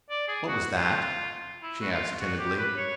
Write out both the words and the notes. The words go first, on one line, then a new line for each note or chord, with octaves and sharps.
"What was that?" she asked timidly.
D5
G#4
F#4
F4
E4
F#4
F4
F#4
G4
B4
C#5